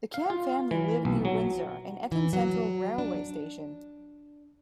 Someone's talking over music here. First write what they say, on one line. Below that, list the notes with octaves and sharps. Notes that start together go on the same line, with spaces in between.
The Camm family lived near Windsor and Eton Central railway station.
F5
F4
E3
B1
F#3
E3
F#3
D4